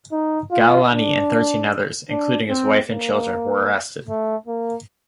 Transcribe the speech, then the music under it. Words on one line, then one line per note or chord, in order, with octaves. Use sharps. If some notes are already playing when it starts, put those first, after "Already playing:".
Ghailani and thirteen others, included his wife and children, were arrested.
D#4
F4
D4
D4
C4
A#3
A3
A#3